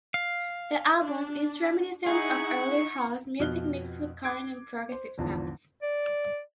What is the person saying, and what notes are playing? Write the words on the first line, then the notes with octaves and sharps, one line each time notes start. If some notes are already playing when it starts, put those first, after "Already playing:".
The album is reminiscent of earlier house music mixed with current and progressive sounds.
F5
D4
D#4 E4 G#4 F#5 C#6
F2 B2 D#5 F6 F#6 G7
D6 F#6 G#6 C7 D7
C5
G#1 E2 D3 F3 A5
D5